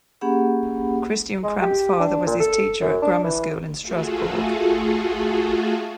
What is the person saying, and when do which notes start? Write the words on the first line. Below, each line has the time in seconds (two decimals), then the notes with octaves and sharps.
Christian Kramp's father was his teacher at grammar school in Strasbourg.
0.21 A#3 C#4 G4 G#4 F#5 B5
1.43 G#3
1.61 G4
2.00 D4
2.26 A#2
2.40 A4
2.81 F#2
3.02 D4
3.24 E3
3.80 A3 F4 F#4 G#4 A4